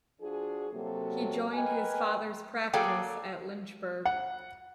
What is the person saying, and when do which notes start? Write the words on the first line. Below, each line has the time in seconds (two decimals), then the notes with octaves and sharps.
He joined his father's practice at Lynchburg.
0.21 F3 D4 F4 F#4 G#4
0.72 C3 F#3 A#3 A4
1.53 A#4 B4 D#5 G5 G#5
2.73 F#3 A#3 G#4 A4 D5 G5
4.05 F#5